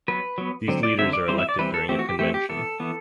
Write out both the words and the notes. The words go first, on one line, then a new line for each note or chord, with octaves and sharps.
These leaders are elected during a convention.
F#3 B3 B4
F#3 B3
D3 F#3 C4
D5
D3 F#3 C4 E5
D5
E3 G3 C4 C5
E5
D5
E3 G3 C4 B4
A4
E3 A3 C4 G4
F#4
G4
E3 A3 C4 G4
G4
E3 B3 A4
E3 B3